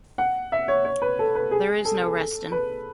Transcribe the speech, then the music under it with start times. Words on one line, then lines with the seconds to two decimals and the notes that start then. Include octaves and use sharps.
There is no resting.
0.18 F#5
0.52 E5
0.68 C#5
0.85 C#5
1.02 B4
1.19 A4
1.35 B4
1.51 G#4
1.85 A4
2.02 A4
2.52 B4